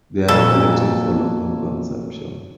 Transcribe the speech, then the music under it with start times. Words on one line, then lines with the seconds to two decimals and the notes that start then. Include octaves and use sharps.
They are collected for local consumption.
0.28 F2 A#2 C#3 F#3 A4